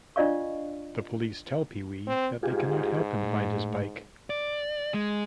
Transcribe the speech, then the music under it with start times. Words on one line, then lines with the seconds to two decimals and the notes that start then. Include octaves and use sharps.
The police tell Pee-wee that they cannot help him find his bike.
0.16 D4 F4 D5 D#5 F5 C#6
2.07 C4
2.43 G#2 F4 G4 G#4
3.23 A2
4.30 D5
4.94 G#3